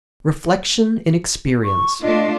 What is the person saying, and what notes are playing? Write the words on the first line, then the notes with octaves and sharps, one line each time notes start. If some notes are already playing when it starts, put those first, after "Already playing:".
Reflection in Experience.
C#6
A3 D4 F4 D#5